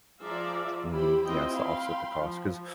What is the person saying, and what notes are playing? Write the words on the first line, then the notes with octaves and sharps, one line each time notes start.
mm, yes, to offset the cost 'cause
F3 G#4 D5 E5 F5 A#5
E4 G4 C5 B5
C4 E4 F4 C5 D#5 G5
F5 G5 B5 C6
F3